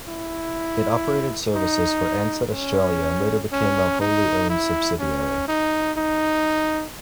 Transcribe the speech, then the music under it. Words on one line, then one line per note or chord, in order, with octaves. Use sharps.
It operated services for Ansett Australia and later became a wholly owned subsidiary.
E4
D#4
C#4
C#4
D#4
E4
C#4
D#4
D#4